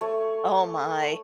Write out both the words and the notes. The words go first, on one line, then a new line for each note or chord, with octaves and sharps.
Oh my.
A3 C#5